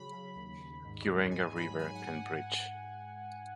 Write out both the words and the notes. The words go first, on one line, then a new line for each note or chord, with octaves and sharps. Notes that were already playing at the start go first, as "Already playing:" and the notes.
Kirenga River and bridge.
Already playing: C#3 F#3 B5
C#3
D#2
D#2
G#2
G#3
G#2 G#5
F#3 B5
G#2 G#5
F#5